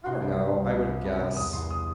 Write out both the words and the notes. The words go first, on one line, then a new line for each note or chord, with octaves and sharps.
I don't know, I would guess
C3 C6
C2
C2
C2
C2
C3
C2
C2
E2 D#6
E2 C6
D#6